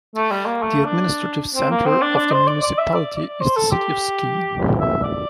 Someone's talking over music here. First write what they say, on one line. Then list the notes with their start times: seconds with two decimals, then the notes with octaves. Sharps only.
The administrative centre of the municipality is the city of Skien.
0.15 A3
0.31 G3
0.46 A#3
0.62 A3
0.85 D4
1.54 C4
1.70 A#3
1.86 C4
2.02 D4
2.16 D4
2.32 C5
2.47 D5
2.63 D5
2.79 E5
2.94 D5
3.18 D5
3.41 C5
3.57 A4
3.72 G4
4.80 E5
5.03 D5